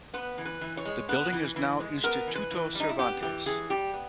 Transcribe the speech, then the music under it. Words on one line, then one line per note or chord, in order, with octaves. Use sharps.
The building is now the Instituto Cervantes.
B3 B4
E3
B4
E3
C#5
G#3
B3 B4
E3
E3
G#3
B3 A#4
E3
B4
E3
G3 D#4
E4
B3 G4
E3 G4
E3 G#4
G3 G4
B3